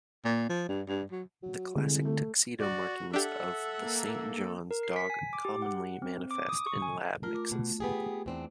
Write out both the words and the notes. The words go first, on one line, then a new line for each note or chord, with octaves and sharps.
The classic tuxedo markings of the Saint John's dog commonly manifest in Lab mixes.
A#2
F3
G2
G2
F#3
F#3
C2 D3 G#3
A3
F#4 D5
D4 G4 A4 E5 F#5
A#3
A#4
C7
B6
G#5
D6
G4
F#5
C4
D6
D#6
C#6
G#5
A3 F4 A#4
D6
B2 A3
B3 G4 G#4
E2 C4 D4